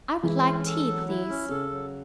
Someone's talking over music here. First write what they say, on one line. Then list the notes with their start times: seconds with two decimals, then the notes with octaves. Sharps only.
"I would like tea, please."
0.23 E3 G#3 E4
0.45 C#4
0.67 A4
0.87 F#3
1.08 E4
1.29 C#4
1.49 C#3 A4
1.71 F#3